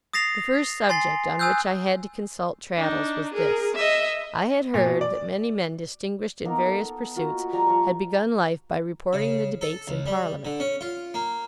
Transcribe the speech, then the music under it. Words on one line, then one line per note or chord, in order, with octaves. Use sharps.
The first subject on which I had to consult Traddles was this,--I had heard that many men distinguished in various pursuits had begun life by reporting the debates in Parliament.
D#6 A6 A#6 C7 F7
G#5 C6 A6 C7
G#5 D#6 E6 F#6 G6
D4 D#4
G#4 A#4
D#5 E5
A#2
B2
D5
A#3 B3 D#4 A#4
A4
A#3 F4 F#4
F3 G3 A#5
F3 A#5 C#6
C#3
A4
C#2
G3
D3
C#4
F4
A#3